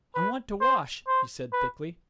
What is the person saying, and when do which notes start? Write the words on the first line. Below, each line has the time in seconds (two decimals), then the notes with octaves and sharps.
"I want to wash," he said, thickly.
0.15 B4
0.60 C5
1.07 C5
1.53 B4